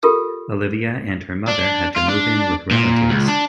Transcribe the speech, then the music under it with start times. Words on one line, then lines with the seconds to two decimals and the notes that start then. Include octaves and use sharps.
Olivia and her mother had to move in with relatives.
0.03 F4 G4 A4 A#4
1.48 D4
1.96 F4
2.08 D4
2.71 A#2
3.11 C#2
3.28 D4